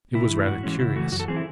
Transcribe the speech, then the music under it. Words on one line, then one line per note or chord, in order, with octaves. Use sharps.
It was rather curious.
C3 E4
E3 A3
G#2 F#4
E3 G#3 C#4
C#3 E4
E3 A3 F#4
F#2 F#4
A4
E3 C4 G#4
E4